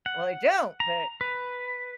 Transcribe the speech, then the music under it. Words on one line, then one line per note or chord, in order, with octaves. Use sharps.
"Well, I don't," but
F#5
A#5
B4